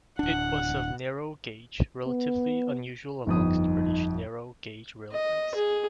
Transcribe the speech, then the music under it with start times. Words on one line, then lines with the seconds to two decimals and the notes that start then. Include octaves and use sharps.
It was of narrow gauge, relatively unusual amongst British narrow gauge railways.
0.19 D1 D4 F#5
2.07 B3
3.26 G1 F2 D#4 D#6
5.12 D#5
5.55 G#4